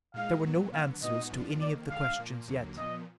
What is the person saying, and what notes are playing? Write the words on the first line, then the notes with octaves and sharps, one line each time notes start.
There were no answers to any of the questions yet.
A#2 G#3 D#4 F5
A#2 F#3 B3
D3 F#3 B3 F5
A#2 G#3 B3 D#4 F#4 D#5
F#2 F3 B3 D4 F4
F2 D#3 A#3 D5
D3 G#3 D4 F5
A#2 F3 A#3
D#2 D3 F#3 A#3
A#2 F3 B3 D#5